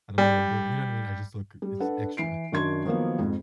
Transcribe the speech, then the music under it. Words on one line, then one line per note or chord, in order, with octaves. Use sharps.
I don't know what I'm doing, you know what I mean? I just look it's extra.
G3
G3
D4 A4 B4 F#5
E3 C7 D7
F#2 D#3 D4 F#4 C6 G#6
D#3 F3 F#3 A#3 B3
F2 G#2